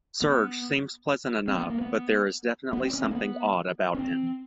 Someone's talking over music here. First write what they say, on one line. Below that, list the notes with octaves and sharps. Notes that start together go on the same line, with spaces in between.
Serge seems pleasant enough, but there is definitely something odd about him.
B3
C4
B3
A#3
B3
B3
C4
C#4
C4
A#3
B3
C#4
C4